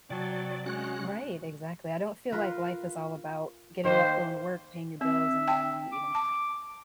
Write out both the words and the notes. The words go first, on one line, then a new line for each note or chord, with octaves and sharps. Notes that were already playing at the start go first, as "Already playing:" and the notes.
Right, exactly, I don't feel like life is all about getting up, going to work, paying your bills, and then eventually
C3 F#3 D5 G5 A5
G#3 C#4 F#4 F#6
F4 A#4 B4
D#3 A#3 C5
C4 E5
G5 A5
D6
A5